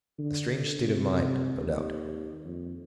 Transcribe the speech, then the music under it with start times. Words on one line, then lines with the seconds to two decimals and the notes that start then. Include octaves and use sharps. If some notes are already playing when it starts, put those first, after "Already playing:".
A strange state of mind, no doubt.
0.19 D3
0.83 C3
1.63 D#2
2.45 F2